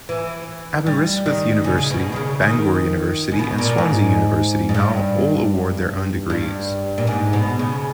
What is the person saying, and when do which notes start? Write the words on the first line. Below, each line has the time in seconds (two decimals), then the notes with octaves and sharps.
Aberystwyth University, Bangor University, and Swansea University now all award their own degrees.
0.09 E3
0.87 G3
1.26 D#3
1.64 C#3
1.78 C#3
1.90 B2
2.12 D#3
2.16 C#3
2.42 D#3
3.32 C#3
3.39 B2
3.58 A#2
3.78 G#2
4.69 G#2
4.74 G2
6.30 G2
6.98 A#2
7.07 G#2
7.33 B2
7.59 C#3